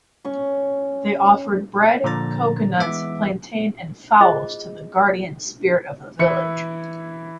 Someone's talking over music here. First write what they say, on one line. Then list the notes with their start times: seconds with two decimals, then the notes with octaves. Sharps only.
They offered bread, coconuts, plantain, and fowls to the guardian spirit of the village.
0.25 C#4 C#6
2.04 A#2 D3 F3 A#5 A6
2.77 E3 G#3 B3 E5 D6
4.21 F4 G#4 C5 D#5 D6
6.19 E3 E4 C#7